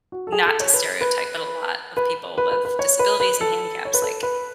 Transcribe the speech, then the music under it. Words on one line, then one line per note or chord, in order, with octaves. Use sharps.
not to stereotype, but a lot of people with disabilities and handicaps, like,
F#4
A4
G#4
A4
C#5
B4
B4
B4
B4
B4
B4
C#5
B4
B4
A4
C#5
B4
A4
B4